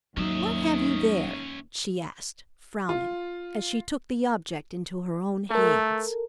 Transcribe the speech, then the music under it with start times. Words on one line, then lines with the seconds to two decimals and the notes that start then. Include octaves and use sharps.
"What have you there?" she asked, frowning, as she took the object into her own hands.
0.17 D#2 F#3 C#4 D#4 E5
2.89 F4
5.50 A3 A4 A#4